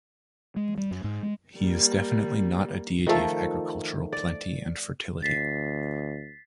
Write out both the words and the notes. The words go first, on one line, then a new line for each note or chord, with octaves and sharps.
He is definitely not a deity of agricultural plenty and fertility.
G#3
G3
F#2
G#2
G#3
G3 A#3
D#3 F3 A3 A4
D5
D2 A6 B6 C7